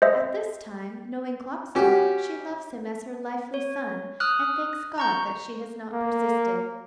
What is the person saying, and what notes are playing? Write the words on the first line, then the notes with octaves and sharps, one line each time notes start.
At this time, knowing Klopstock, she loves him as her lifely son, and thanks God that she has not persisted.
C5 D#5 E5
C#4 F#4 G4
C#5
D#6 F6 F#6
A#5 C#6 G6
A#3